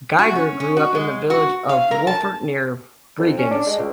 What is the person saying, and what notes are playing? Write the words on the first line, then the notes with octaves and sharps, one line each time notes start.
Geiger grew up in the village of Wolfurt near Bregenz.
F#4
C#4
C#4
F#4
G#3
F#4
F5
A#4
A5
F2
C#4
D4
G#3
C#2